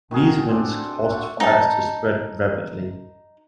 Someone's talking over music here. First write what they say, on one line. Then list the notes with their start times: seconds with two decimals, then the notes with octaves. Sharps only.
These winds caused fires to spread rapidly.
0.11 D#3 F#4 G#4 A#4
0.49 C4 D4 A4
1.10 A3 F#5
1.40 D#4 A5